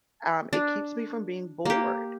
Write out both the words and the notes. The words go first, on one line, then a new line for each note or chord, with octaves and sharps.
um, it keeps me from being bored.
D4
A#3 G4